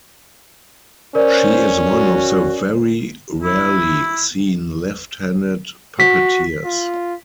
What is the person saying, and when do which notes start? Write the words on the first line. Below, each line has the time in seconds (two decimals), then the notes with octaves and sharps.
She is one of the very rarely seen left-handed puppeteers.
1.15 C#4 A#4 C5 D5
1.89 F#4
3.43 E4
6.00 F#4 B6
6.65 F4